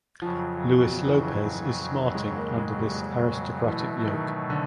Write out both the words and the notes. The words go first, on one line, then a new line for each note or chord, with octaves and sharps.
Luis Lopez is smarting under this aristocratic yoke.
F2 C#3 F3 F#3
E3
D#3
G#3
A#3
G#3
G3
B2 E3 F#3 A3
D#3
D3